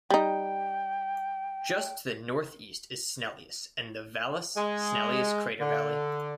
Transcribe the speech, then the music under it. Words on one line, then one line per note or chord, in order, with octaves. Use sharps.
Just to the northeast is Snellius and the Vallis Snellius crater valley.
G3 D#4 G5
G#3
D3